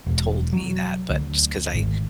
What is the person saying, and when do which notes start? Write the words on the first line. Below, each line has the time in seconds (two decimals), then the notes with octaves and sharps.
told me that, but just 'cause I
0.06 E1
0.52 F#3
1.10 D2
1.74 G#1